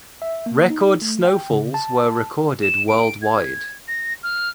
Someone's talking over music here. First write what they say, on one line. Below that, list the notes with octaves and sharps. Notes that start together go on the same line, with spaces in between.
Record snowfalls were recorded worldwide.
E5
A#3
D#4
A3
G5
C#3
A5
E7
D7
G#6
A#6
F6